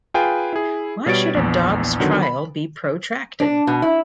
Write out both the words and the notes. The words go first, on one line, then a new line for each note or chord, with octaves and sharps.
Why should a dog's trial be protracted?
F4 G#4 B4 G5 G#5
E4 G#4
B2 G3 C#5 A6 D7
A#1 E2
D3 D#3 F#3 B3
B5
D4
B2
E4